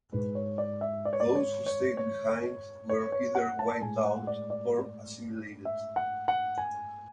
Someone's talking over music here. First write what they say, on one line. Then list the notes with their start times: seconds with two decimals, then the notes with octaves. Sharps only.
Those who stayed behind were either wiped out or assimilated.
0.12 G#2 G#3 B4
0.35 C#5
0.58 D5
0.81 E5
1.05 D5
1.13 C#5
1.20 D5
1.35 C#5
1.66 C#5
1.97 C#5
2.89 C#5
3.12 C#5
3.35 F#5
3.59 A5
3.81 A2 G#3 G#5
4.05 F#5
4.27 D5
4.50 D5
5.65 E5
5.96 F#5
6.28 F#5
6.58 G#5